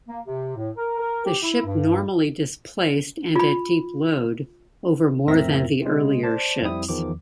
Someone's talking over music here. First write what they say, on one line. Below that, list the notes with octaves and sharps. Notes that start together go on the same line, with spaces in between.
The ship normally displaced and at deep load, over more than the earlier ships.
A#3
C3
A2
A#4
A#4
G4
E4
G2
F4 B5
F2 A2 C4 A#4 E5 A#6
C3 G#3
C5 D5 A5
F2 G3 C4 E4 D#6
E2 D#3 F3 D6